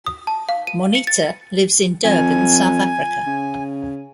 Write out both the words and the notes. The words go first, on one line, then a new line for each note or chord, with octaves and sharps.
Moneta lives in Durban, South Africa.
D#6
A5
F5
D#7
C#7
A6
F2 G#5
C#3